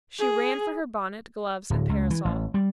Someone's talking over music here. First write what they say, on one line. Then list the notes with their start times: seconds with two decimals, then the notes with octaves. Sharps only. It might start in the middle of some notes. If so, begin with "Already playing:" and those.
She ran for her bonnet, gloves and parasol.
0.19 G#4
1.70 D1
1.89 C#2
2.10 E3
2.25 A1
2.54 G3